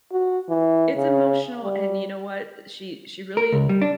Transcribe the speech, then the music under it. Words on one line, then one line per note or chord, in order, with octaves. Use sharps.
It's emotional, and you know what? She she really
F#4
E3
C#3
G3
A#4
C#2
G3
D4